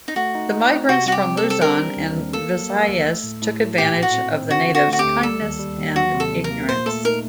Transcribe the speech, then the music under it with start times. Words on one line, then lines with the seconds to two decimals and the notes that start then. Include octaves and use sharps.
The migrants from Luzon and Visayas took advantage of the natives' kindness and ignorance.
0.08 D#4
0.16 A3 F#4
0.35 D#4
0.52 D#4
0.71 C4
0.89 C3 F#4
1.06 G3 F#4
1.12 G4
1.25 C4
1.37 A4
1.43 C4
1.50 A4
1.61 G3 A#4
1.79 D4
1.97 D#2
2.15 D#2
2.33 A#3 A4
2.52 F#3
2.69 A#3
2.88 D2
3.06 A3
3.24 A2
3.42 A2
3.60 A2
3.78 A#2 G4
3.97 A3
4.03 F#4
4.14 C4
4.33 C4
4.50 D3 F#4
4.68 D3
4.75 F#4
4.87 A3
4.93 F#4
4.99 G4
5.05 D2
5.23 G3 A4
5.42 D#2
5.59 G3
5.77 D#2
5.96 F#3 F#4
6.14 C3
6.20 A4
6.32 C3
6.44 A#4
6.51 A#3
6.68 A#2 C5
6.86 A3 A4
7.04 D#4 A#4